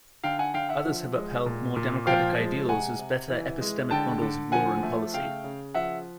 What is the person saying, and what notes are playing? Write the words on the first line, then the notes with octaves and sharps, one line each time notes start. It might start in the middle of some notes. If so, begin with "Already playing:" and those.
Others have upheld more democratic ideals as better epistemic models of law and policy.
D3 F5 G5
F#5 G#5
D3 F5 G5
E5 F#5
F3
G#3
A#2
A#2
F3 F5 G5
G#3
C3 F#5 G#5
C3
E3
G#3
D3 G5 A5
D3
F3 F#5 G#5
A3
C#3 F5 G5
C#3
F3 E5 F#5